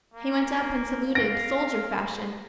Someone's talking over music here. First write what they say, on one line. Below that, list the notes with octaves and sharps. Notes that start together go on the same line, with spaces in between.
He went up and saluted, soldier-fashion.
A#3
F5 A#6 D7